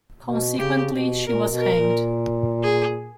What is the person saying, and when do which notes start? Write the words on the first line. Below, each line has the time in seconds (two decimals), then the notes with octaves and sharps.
Consequently, she was hanged.
0.24 B2
0.58 C#3 G4
0.92 B2
1.27 A#2 A#4
1.50 B2
1.61 A#4
1.72 A#2
2.63 G#4